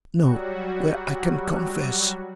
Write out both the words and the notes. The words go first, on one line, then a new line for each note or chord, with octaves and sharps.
"No, where I can confess."
F#3 G3 F#4